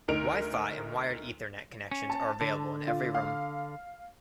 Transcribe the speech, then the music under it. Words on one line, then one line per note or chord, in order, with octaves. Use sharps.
Wifi and wired ethernet connections are available in every room.
D2 D#4 A#4 D7 F7
C#4
A5
D3
F4
F5